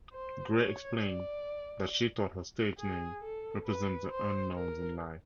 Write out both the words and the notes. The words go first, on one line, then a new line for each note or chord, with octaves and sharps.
Grey explained that she thought her stage name represents the unknowns in life.
C5
C#5
D5
G#4
A4
B4
C5
A#4